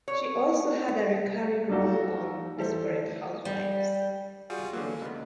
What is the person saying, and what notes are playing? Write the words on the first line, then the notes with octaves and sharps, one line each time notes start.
She also had a recurring role on "Desperate Housewives".
C#5
F#3 A#3 D#4 F4 F#4 A4
E3 A3 A4 C5
G3
G3 F4 F#4 G#4
D3 E3 F#3 A#3
C#2 B3